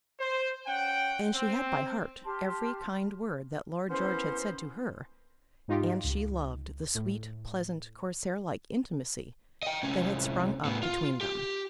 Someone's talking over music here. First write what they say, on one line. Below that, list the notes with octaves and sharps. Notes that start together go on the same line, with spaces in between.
And she had by heart every kind word that Lord George had said to her,--and she loved the sweet, pleasant, Corsair-like intimacy that had sprung up between them.
C5
C#4 F#5 G5
C4
G4 A5 C6 F6
C2 B3 C#4 E4 C5
G#2 D#4 F4 G4
C#2
A2
D#5 G5
C2 C#4
A2 B3
F4
G4